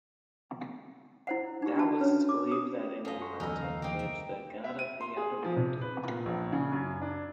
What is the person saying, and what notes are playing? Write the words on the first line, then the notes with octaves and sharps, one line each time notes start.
Daoists believed that in the mountain lives the god of the underworld.
E4 C5 F#5
D#4 G4
D4 F#4 A5
C#4 B4 C#5
D6
D#6
F#2 F4 A4 D#5 F5
F#4 F#5 C6 C#6
D#2 F3 G3 D#4 A4 A#4 G#5 E6
C#3 F5
D3 E3 A#3 D#4 G5
C2 E5
E5
D#7
C6
G#4
F3
C3
B4
A#2
A#1
C#3
F#2
D4